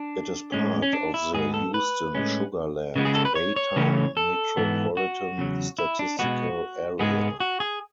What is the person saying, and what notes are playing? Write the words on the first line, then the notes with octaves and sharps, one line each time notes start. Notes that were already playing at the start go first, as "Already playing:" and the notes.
It is part of the Houston-Sugar Land-Baytown Metropolitan Statistical Area.
Already playing: D4
A2 G#3 C#4
C#4
D4
E4
G#2 G#3 B3 G#4
A4
B4
A2 G#3 C#4
C#3 G#3 B3
G#4
A4
B4
C#5
C#5
C#3 E3 A3 C#4
A4
G#2 E3 B3
F#4
E2 C#3 F#3
E4
D4
B2 G#3 B3 F#4
G#2 G#3 B3 G#4
F#4
G#4